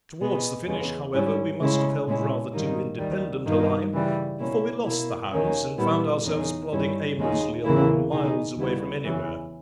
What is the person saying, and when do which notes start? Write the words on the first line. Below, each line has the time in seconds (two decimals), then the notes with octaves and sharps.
Towards the finish, however, we must have held rather too independent a line, for we lost the hounds, and found ourselves plodding aimlessly along miles away from anywhere.
0.20 B2 G#3 B3
0.67 E2 C#3 G#3 B3
1.14 G#2 G3 C#4 E4
1.61 C#3 G#3 C#4 E4
2.07 A#2 G#3 C#4 E4
2.54 G#2 D#3 G3 A#3 D#4
2.99 D#2 D#3 G3
3.47 G2 D#3 A#3 D#4
3.93 C#3 E3 G3
4.39 B2 A#3 C#4 E4
4.85 B2 A#3 E4
5.32 D#2 D#3 A#3 C#4
5.78 A#2 G3 B3 E4
6.25 E2 C#3 G#3 D#4
6.71 G2 D#3 G3 C#4 E4
7.19 D#2 C#3 G#3 D#4
7.64 E2 C#3 E3 A#3 E4
8.12 B2 G#3 D#4
8.58 D#2 C#3 G3 B3 E4
9.04 E2 C#3 E3